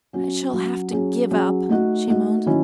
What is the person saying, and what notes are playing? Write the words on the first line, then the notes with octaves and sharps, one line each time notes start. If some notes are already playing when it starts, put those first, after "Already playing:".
"I shall have to give up!" she moaned.
F#3 C#4 F#4
F#3 C#4 F#4
F#3 C#4 G#4
F#3 C#4 G#4
A3 D#4 F#4
A3 D#4 F#4
D#3 F#3 C#4 E4